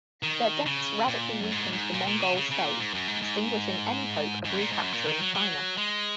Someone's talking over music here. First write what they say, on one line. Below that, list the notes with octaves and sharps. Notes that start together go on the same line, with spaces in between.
Their deaths radically weakened the Mongol state, extinguishing any hope of recapturing China.
D#3
C#3
A#2
F#2
G#2
G#2
A#2
A#2
C#3
C#3
C#3
A#2
G#2
F#2
G#2
G#2
G#2
F#2
A#2
G#2
F#2
A#2
D#3
F#3
F#3
G#3